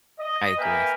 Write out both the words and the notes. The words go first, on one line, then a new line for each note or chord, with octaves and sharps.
I agree.
D#5
A#3 A#4 B4 E5 G5 G#5